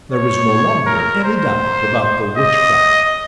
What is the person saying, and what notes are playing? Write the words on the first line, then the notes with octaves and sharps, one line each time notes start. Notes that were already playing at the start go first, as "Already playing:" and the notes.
There was no longer any doubt about the witchcraft.
C#5
A#4
C5
D#5